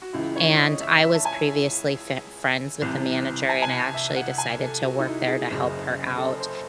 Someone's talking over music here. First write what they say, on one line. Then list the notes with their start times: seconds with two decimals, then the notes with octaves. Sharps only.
and, I was previously fen friends with the manager, and I actually decided to work there to help her out.
0.02 F#4
0.13 C#2 C#3 E3 E4
0.36 C#5
0.58 D#5
0.80 E5
1.03 E5
1.14 A5
1.25 G#5
2.82 C2 C3 E3
3.49 G#5
3.62 G#5
3.72 A5
3.94 E5
4.16 F#5
4.38 G#5
4.61 A4
4.83 F#4
4.99 D#4
5.06 E4
5.28 G#4
5.50 F#1 F#2 C#3
6.17 A4
6.40 C5